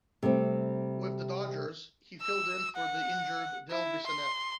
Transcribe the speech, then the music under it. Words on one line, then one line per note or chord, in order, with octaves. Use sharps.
With the Dodgers, he filled in for the injured Del Bissonette.
C3 G3 A3 C4
E6
F#5
E4
C6